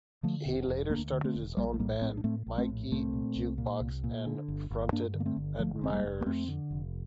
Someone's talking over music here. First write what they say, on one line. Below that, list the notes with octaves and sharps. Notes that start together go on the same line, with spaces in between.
He later started his own band, Mikey Jukebox, and fronted Admirers.
D3 F3 A3
E1
E1
D2 A#3 D4
D3
A3 C4
E1
A#1 G3 A#3
A3
A2 G3 A#3
A#1 A3 C4
D4
A2 A3 C4
A#1
A3 C4
A2
C2 A3 C4
A#2
C2
A#2
C2
A#2
D3
G1
G1
G2 A#3 D4
D3
A#3
A3 C4
G1
D3 F3 A3
F1 C4
G3 A#3
F1
A#3
F2 A3 C4
D3
F1